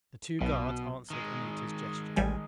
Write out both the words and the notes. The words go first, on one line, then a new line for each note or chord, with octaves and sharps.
The two guards answered Anita's gesture.
B1 B2
D#3 G#3
A1 G3 G#5